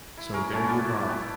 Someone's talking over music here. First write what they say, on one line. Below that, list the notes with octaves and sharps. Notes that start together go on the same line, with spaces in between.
So there you are.
E4
G#4 A#4 C#5
A#2 C#4 E4 A5
B3 D5
A3
G4